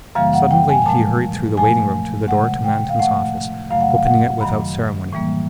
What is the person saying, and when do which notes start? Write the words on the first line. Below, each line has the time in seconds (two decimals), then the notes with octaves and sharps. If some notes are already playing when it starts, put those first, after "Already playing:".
Suddenly he hurried through the waiting room to the door to Manton's office, opening it without ceremony.
0.15 F#2 C#3 E3 G3 A#3 F5
0.33 F#5
0.51 G5
0.69 G#5
0.86 A#2 F3 G#3 A5
1.57 A#2 F3 A3 G#5
2.28 C3 D#3 G#3 F#5
2.64 G5
2.89 F5
2.99 A2 F3 A3 F#5
3.70 F#2 C#3 F#3 A3 F5
3.81 F#5
3.90 F5
4.05 F#5
4.41 F#2 D#3 F#3 B5
5.13 A2 E3 G3 A#3